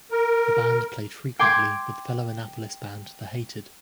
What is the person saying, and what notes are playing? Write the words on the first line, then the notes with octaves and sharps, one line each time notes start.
The band played frequently with fellow Annapolis band The Hated.
A#4
G5 C6 D6 G#6